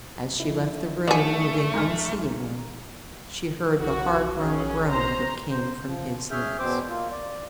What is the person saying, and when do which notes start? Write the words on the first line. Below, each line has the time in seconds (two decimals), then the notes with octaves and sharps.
As she left the room, moving unseeingly, she heard the hard-wrung groan that came from his lips.
0.40 F3 D#4 E4
1.08 D3 A3 G#4
1.74 B1 G#2 D#4 G#5 A#5 F6
3.80 B1 F#4
4.39 A#1 C#4 G#4
4.91 C5 A#5
5.50 C5
5.86 F3
6.31 C#4 G#4 E5 F6 G6
6.59 E2 B2 C4 C5 D6
6.89 A#3 F4
7.11 D5